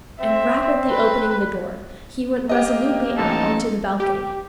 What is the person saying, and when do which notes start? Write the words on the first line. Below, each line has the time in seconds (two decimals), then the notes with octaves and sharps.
And rapidly opening the door he went resolutely out onto the balcony.
0.20 C4 E5
0.89 B4
2.49 A#3 G4 D#5
3.18 A1 D#4 A4
4.00 G4